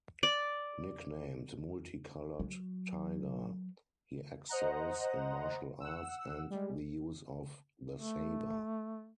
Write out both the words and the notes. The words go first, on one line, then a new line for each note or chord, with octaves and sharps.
Nicknamed "Multicoloured Tiger", he excels in martial arts and the use of the saber.
D5
F#3
C5 D#5 F#5 A#5
F#5 E6
G3 G#3
A3